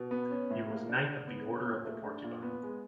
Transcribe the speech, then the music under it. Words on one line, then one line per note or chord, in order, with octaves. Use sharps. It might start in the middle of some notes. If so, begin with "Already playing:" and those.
He was Knight of the Order of the Porcupine.
Already playing: B2
B3
C#4
A2
A#3
D4
D3
B3
C#4
A#2
A3
D4
A#2
B3
G#3